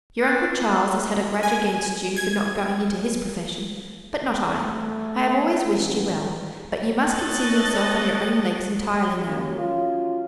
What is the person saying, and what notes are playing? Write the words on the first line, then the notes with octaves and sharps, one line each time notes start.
Your uncle Charles has had a grudge against you for not going into his profession, but not I. I have always wished you well, but you must consider yourself on your own legs entirely now.
D4
G#5
G#6
A3
A1
A4 C#5 D#5 F#6 A6
C#2 F#2 A#3 C#4 G4
F#3 C#4 F4